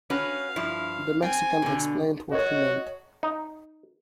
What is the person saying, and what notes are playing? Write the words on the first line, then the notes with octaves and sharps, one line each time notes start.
The Mexican explained what he meant.
C#4 F#4 B4 F5
G2 F3 E4
C4 G#5
B2 D3
F#4 C#5 D#5
D#4